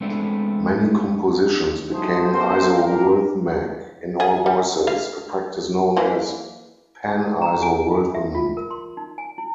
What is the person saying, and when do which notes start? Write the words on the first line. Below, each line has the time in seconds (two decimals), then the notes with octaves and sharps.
Many compositions became isorhythmic in all voices, a practice known as panisorhythm.
0.01 G#3 A3 B3 C4 D4 E4
1.91 G#2 F#3 A3 G#4 C5
2.31 B3 G4 A4 A#4 C5
2.75 G3 G4 A#4
4.20 G#4
4.46 G3
4.87 F5
5.97 E3 A#3
7.08 D#4
7.42 A#5
7.62 G#5
7.95 G#4
8.15 E5
8.35 F4
8.57 A#4
8.71 C6
8.97 D#4
9.18 G#5
9.38 E4